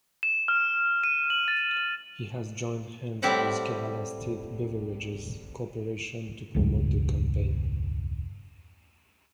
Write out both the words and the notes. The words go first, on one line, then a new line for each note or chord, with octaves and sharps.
He has joined hands with Kerala State Beverages Corporation to promote the campaign.
E7
F6
D#7
F#7
A6
A2 G3 C4 E4 E5 F#5
E1 C#2 G2